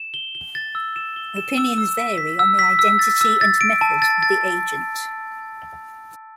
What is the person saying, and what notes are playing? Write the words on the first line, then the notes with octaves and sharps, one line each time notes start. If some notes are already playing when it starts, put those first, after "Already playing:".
Opinions vary on the identity and method of the agent.
Already playing: E7
G7
G7
A6
E6
E7
G7
E7
E6
E6
B6
B6
E6
B6
E6
A6
E6
A6
D7
A5
A6
A6